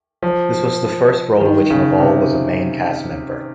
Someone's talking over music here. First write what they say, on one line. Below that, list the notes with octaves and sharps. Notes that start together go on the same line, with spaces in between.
This was the first role in which Neval was a main cast member.
F3
D#3
C#3
C3